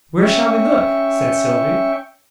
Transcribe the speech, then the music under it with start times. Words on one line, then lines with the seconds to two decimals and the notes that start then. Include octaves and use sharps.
"Where shall we look?" said Sylvie.
0.22 C#4 E5 G5 C#6